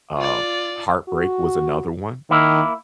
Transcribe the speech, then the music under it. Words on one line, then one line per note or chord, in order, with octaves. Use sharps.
um, heartbreak was another one,
F4 D5
F#4
D#3 A#3 E4